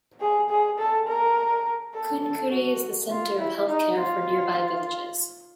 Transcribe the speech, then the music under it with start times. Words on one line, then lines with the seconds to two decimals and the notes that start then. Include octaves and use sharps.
Kunkuri is the centre of healthcare for nearby villages.
0.20 G#4
0.49 G#4
0.79 A4
1.08 A#4
1.94 A4
2.23 A4
2.52 F#4
3.10 F4
3.39 E4
3.68 D#4
3.97 F4